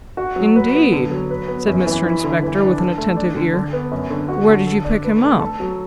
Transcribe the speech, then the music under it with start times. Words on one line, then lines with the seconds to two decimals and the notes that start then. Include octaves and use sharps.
'Indeed?' said Mr Inspector, with an attentive ear; 'where did you pick him up?'
0.17 F#4
0.36 F#3
0.56 B4
0.75 B3
0.92 D3
1.11 F#3
1.30 B4
1.48 B3
1.67 F#2
1.87 E3
2.05 E4
2.24 D3
2.43 E3
2.60 D4
2.79 A4
2.98 A3
3.17 D4
3.36 D3
3.54 D3
3.73 B3
3.91 F#2
4.10 D3
4.28 F#4
4.48 D3
4.67 A4
4.85 D4
5.04 B4
5.23 A3
5.41 A4
5.60 F#3